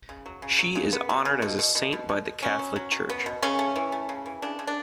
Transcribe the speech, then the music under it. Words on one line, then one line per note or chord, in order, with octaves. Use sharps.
She is honored as a saint by the Catholic Church.
C#3
F#3
C#3
F#3
C#3
B3
F#3
C#3
B2
B2
B2
B2
B2
B2
B3 C#4
F#3
F#3
F#3
B3
B2
C#3 C#4
A3
E3
A3
C#3
E3
C#3 D4
C#3
D4